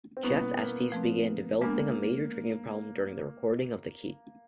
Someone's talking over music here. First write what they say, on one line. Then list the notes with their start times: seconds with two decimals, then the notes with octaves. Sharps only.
Jeff Estes began developing a major drinking problem during the recording of "The Key".
0.17 C4
0.23 B2 G3 A#3 B3 C#4 E4
0.58 A#3
0.92 F3 A3 C4
1.61 G#3 A#3 B3 D4